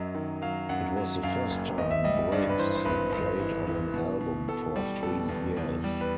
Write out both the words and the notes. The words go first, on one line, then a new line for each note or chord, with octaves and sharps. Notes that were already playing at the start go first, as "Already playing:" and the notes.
It was the first time Briggs had played on an album for three years.
Already playing: F#2 F#3 D#5
D#3
F#3 F5
F#2 F#5
F#3
F#2 F5
F#1
G#1 D#5
E5
G3 D#5
G2 D5
B4
E3 C5
C5
G#1 B4
G#1
E3
E3
B2
B2
B2 A4
G3
B2 A4
E2
E2
G3
B4